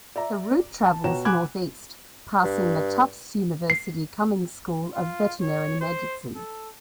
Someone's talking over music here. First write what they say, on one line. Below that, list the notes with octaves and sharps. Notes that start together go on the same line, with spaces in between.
The route travels northeast, passing the Tufts University Cummings School of Veterinary Medicine.
D5 E5 A#5
A5
B2 F#4 C#5 G5 A#5 E7
F#5 G#5 B5 D6 F#6 G#6
G2
C7
F4
C#5
C5
A4